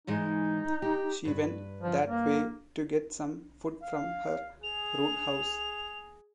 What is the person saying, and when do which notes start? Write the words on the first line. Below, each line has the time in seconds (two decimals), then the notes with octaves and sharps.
She went that way to get some food from her roothouse.
0.07 G#2 E3 G#3 D#4
0.82 G4
1.25 G2 B4
1.81 F3
2.07 A#3
3.83 F5
4.63 G#4 F7